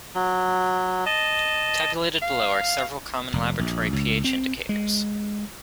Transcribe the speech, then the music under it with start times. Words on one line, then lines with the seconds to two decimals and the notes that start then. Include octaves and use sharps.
Tabulated below are several common laboratory pH indicators.
0.15 F#3
1.06 D#5 A5
2.22 F5
3.33 F1
3.59 A#1
3.93 C#2
4.24 C4
4.69 G#3